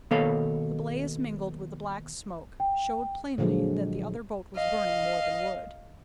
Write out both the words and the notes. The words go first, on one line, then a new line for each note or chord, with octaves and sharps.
The blaze, mingled with the black smoke, showed plainly that the other boat was burning more than wood.
B2 D#3 A#3 A4 C#5 F5
G5
A#2 D3 F3 F#3 G#3
D#5 F5